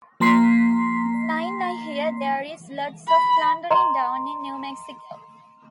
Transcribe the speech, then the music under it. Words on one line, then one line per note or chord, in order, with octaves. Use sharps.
The line I hear there's lots of plunderin' down in New Mexico!
F3 A#3 A#5 C6 B6 C7
B5
D#5 A#5 C6